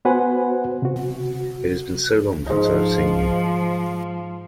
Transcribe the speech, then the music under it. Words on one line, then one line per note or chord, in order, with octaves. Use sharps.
It has been so long since I have seen you!
B3 F#4 B4 C5 F#5 G#5
C3 F#4
G#2 F3 D#4